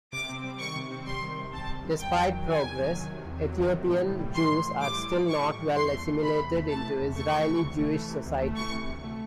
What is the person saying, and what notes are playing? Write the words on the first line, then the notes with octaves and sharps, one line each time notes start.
Despite progress, Ethiopian Jews are still not well assimilated into Israeli-Jewish society.
C3 D6
C4
G3
D#3 C#6
C3
C4
G3 C6
D#3
C3
C4 A5
G3
D#3
E2 G5
F#3
D#3
C3 G#5
E2
F#3
D#3
C3
E2
F#3
D#3
C3
A2
A2
G3
E3 C6
A2
A2
G3 D6
E3
A2
A2 C#6
G3
E3
E2 C6
A3
E3
C3 B5
E2
A3
E3 A5
C3
E2
A3 C#6
E3
C3
D2
A3
E3
C3
D2
A3
E3 C#6
C3
D2
A3